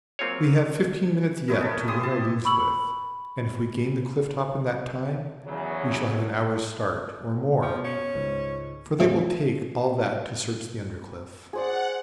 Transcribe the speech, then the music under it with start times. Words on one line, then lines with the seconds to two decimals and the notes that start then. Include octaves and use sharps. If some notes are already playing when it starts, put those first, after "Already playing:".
We have fifteen minutes yet to win or lose with, and if we gain the cliff-top in that time we shall have an hour's start, or more, for they will take all that to search the under-cliff.
0.19 F#3 A#3 C4 F4 G#4 C#5
1.48 C#4 D#4 E4 A#4
1.61 A4
1.88 E4 G4 C6 D#6
2.03 A5
2.45 B5 C#6 E6 F#7
5.46 E2 C#3 F#3
7.62 B2 F3
7.84 C#4
8.15 C#2 G#2
9.00 E2 A2 C3 D#3 A#3 C#5
11.53 G#4 C5 D5 F#5